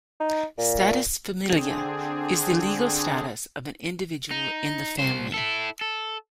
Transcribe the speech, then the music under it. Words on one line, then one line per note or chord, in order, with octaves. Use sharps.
"Status familiae" is the legal status of an individual in the family.
D#4
A#2
D3 C4 D4 G#4
D#4
C2 C5
E4 A4
A4